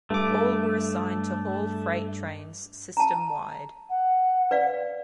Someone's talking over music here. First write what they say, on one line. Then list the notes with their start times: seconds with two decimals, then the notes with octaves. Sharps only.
All were assigned to haul freight trains system wide.
0.10 G2 A3 D6
2.97 A5 A#5
3.89 F#5
4.51 B4 D5 F5